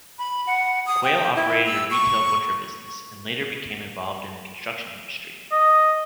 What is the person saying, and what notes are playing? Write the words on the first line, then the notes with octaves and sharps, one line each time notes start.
Quayle operated a retail butcher business, and later became involved in the construction industry.
B5
F#5
D#6
G5
E4
E6
C#6
D#5